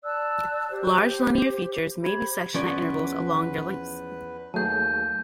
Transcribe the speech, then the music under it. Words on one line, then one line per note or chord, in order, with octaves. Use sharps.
Large linear features may be sectioned at intervals along their lengths.
D5 A5 E6 F#6
G4 C5
G4 C5 B5 G#6
E2 F3 C#4 B4 D5
D#2 F#3 A3 G#4 A5 G6